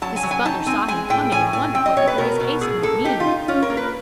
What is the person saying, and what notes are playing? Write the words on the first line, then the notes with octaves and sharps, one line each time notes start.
Mrs. Butler saw him coming and wondered what the boy's haste might mean.
F#3 A5
G#5
F#3
G#5
D#4 A5
C4 G#5
G#3 G#5
A2 G5
A2 G#5
A2 G#5
C4 G5
D#5
B2 C#5
B4
B2 A#4
B2
A2 G#4
A#3 A4
D#4 G4
F4
D#4
C#4 F4
A#4
A#3
B4